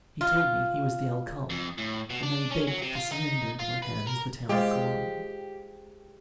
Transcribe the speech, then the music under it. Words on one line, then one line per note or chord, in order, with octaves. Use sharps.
He told me he was the Alcalde, and that he begged to surrender into my hands the town of Coamo.
F4
F2
A2
B2
D4
C#4
F#3
C3
F4
D#4
F4
B4
A#4
G#3 F4 G4 C5 F5 D6